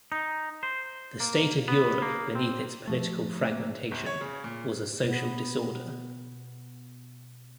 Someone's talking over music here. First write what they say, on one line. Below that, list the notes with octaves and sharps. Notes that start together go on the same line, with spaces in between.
The state of Europe beneath its political fragmentation was a social disorder.
D#4
C5
A#3
B3
A#3
C4
F3 A3
A3 A#3
G1
C#5
C#3
A#2
B2 B3